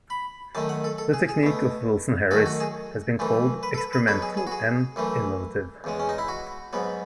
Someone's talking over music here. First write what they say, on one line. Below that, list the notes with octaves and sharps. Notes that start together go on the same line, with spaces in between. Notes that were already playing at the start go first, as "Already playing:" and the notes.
The technique of Wilson Harris has been called experimental and innovative.
B5
F#2 D#3 A3 A5
F#5
A4
A4
G#4
G#4
B2 A3
F#2 D#3 A3 F#4
F#4
G#4
F#2 E3 A3
B4
A4
B4
B4
B2 F#3 B3 A4
G#4
G#4
F#4
G#4
F#2 E3 A3
E2 C#3 G#3
C#4
D#4
E4
F#4
G#2 F#3 B3